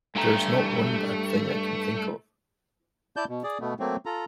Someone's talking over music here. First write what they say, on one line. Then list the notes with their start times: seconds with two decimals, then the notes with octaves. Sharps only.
There's not one bad thing I can think of.
0.16 G2 A3 G5 A#5
3.16 E4 D5 A5 G6
3.29 B2
3.44 G#4 D5
3.60 B2 A3 B3
3.80 F#3 A3 A#3 C4
4.06 F4 A4 A#5